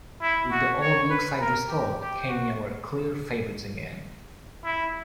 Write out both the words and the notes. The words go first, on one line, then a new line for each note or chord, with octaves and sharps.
With the old-look side restored, Kenya were clear favourites again.
E4
F#4
C#5
B4
A#4
G4
G4
F#4
E4